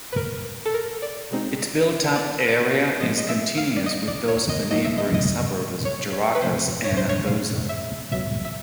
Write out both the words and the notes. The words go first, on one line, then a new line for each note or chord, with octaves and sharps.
Its built-up area is continuous with those of the neighbouring suburbs Gerakas and Anthousa.
B4
A#4
A4
A#4
D5
B2 G#3 C4 D#4
D5
G#2 F3 G#3 D#5
D#5
E5
F5
D5
D#5
D5
C#5
D#5
A2 F#3 A#3 D#4 D#5
E5
D#5
D#5
C#5
C#5
B4
C3 F3 A3 C4 C5
C#5
C5
C#5
F5
E5
C#2 B2 F#3 E5
E5